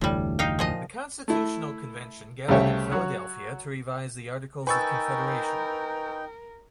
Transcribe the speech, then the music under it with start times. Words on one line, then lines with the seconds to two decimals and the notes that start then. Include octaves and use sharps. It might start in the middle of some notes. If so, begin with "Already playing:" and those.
The Constitutional Convention gathered in Philadelphia to revise the Articles of Confederation.
0.01 F1 D2 A2 E3 G3
0.39 D#4 F5 G5
0.59 A#2 F3 D#5
1.28 A3 E4
2.48 C2 C#3 A3 G4 C#5 E5
2.91 F#3 F#4
4.67 D#4 A#4 B4 G5 G#5 C#6 E6 A6